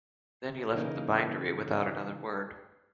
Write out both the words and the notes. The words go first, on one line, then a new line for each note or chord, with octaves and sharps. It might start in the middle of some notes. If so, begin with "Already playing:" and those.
Then he left the bindery without another word.
C#3 E3 A#3 D#4